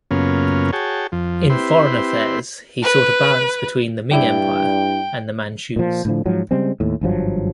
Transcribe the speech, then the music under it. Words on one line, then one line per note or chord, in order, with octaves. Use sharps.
In foreign affairs he sought a balance between the Ming Empire and the Manchus.
F#2 C#3 A#3 B3 C#4 F4
F#4 G#4 C#5 G5 A5
F2 F3
C4 E4 G4 B4 C6
B4
G2 D4 E4 D5 G5
A#2 F3
A2 D3 F3
G#2 F3 F#3
C#3 G3 G#3 C4
D#2 A2
G#1 G2 F3 F#3